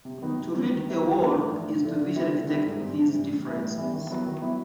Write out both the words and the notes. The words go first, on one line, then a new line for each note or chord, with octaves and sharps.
To "read a wall" is to visually detect these differences.
C3
D#3 F#3 B3 D#4
C3
D#3 F#3 B3 D#4
D#3
G3 B3 E4
D#3
G3 B3 E4
A2
F3 A3 D4
A2
F3 A3 D4
D3
G3 C4 E4
D3
G3 C4 E4
G#2
E3 G3 C4
G#2
E3 G3 C4
A2
E3 G3 B3 E4
A2
E3 G3 B3 E4
D#3
F#3 B3 E4
D#3
F#3 B3 E4